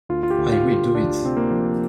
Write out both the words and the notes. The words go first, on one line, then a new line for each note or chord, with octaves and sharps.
I will do it.
D2 F4
F4
G4
D2
F4
D2
F4
D2 D4
C3 C4
A#3
F3